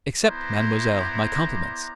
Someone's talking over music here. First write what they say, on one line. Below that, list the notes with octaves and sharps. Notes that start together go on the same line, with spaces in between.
Accept, mademoiselle, my compliments.
B3 E4 C5 D5 A#5